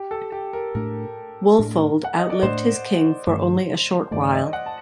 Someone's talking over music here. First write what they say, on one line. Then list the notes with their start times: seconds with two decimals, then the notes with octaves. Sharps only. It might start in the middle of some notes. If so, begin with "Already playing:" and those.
Wulfoald outlived his king for only a short while.
Already playing: G4
0.11 A4
0.32 G4
0.53 A#4
0.75 A2 A3 D4 A#4
1.58 A2 A3 D4
2.04 F#5
2.17 D#5
2.30 D5
2.43 A2 A3 D4 C5
3.27 G2 D#3 A3
4.11 G2 D#3 A3 D5
4.33 D#5
4.53 F#5
4.66 A5